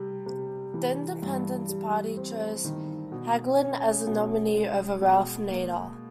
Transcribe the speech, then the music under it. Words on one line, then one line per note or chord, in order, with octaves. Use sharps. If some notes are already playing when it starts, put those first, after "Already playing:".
The Independence Party chose Hagelin as the nominee over Ralph Nader.
Already playing: C3 G3
C3
E3
G2
G3
C4
D#3
B2
C#4
B2
G#3
B2
A#3